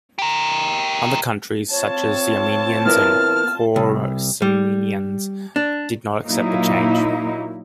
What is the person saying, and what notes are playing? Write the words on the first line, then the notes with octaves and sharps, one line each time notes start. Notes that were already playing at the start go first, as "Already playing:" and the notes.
Other countries, such as the Armenians and Choresmians, did not accept the change.
G4 A#4
C4 F4 C#5 A5
B3 E4 A#4 F6
C2
G3
D4
A#2 F#3 A#3 D#4 E4